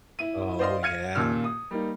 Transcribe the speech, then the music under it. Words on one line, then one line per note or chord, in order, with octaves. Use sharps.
Oh, yeah.
E4 D#7
C5 D5 D#5 F5 C6
F5 F6 G#6 C#7 D#7
D#2 A#2 C#3 E6 F6
D#6
G3 A#3 D#4